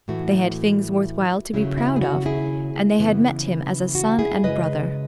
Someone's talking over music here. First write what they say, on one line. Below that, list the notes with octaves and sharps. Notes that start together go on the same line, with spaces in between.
They had things worth while to be proud of; and they had met him as a son and brother.
A2 E3 A3 F#4
D#2 C#3 F#3 A3 E4
E4
G#4
F#4
E4 G#4
F#2 C#3 E3 B3 E4
F#4
E4 G#4
F#2 C#3 G#3 B4 D#5